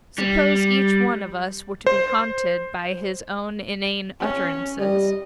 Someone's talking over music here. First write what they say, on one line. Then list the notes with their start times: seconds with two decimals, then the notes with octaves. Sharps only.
Suppose each one of us were to be haunted by his own inane utterances?
0.18 G3
1.86 C5
4.19 C#4
4.79 G3 D#5